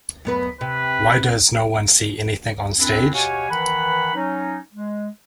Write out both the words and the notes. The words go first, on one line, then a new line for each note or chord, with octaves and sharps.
Why does no one see anything on stage?
F#2 B3 B4
C3 B4
F#2 C4 D4 E4
B2 F#4 G4 C#5 F5 G#5
D#3 E3 B4 F#5 B5
F#3 C#4 D#4
G#3